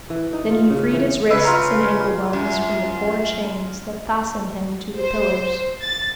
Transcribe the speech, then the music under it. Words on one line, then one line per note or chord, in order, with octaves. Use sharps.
Then he freed his wrists and ankle-bones from the four chains that fastened him to the pillars.
E3
D#4
F4
C#3
E3
C#3 B4 E5
F4 A#5
F#2
C5
A6